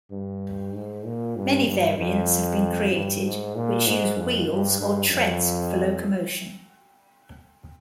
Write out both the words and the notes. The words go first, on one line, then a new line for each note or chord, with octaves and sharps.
Many variants have been created which use wheels or treads for locomotion.
G2
G#2
A#2
G2
G2
F2
G2
G#2
A#2
G#2
F2
G2
G2
F2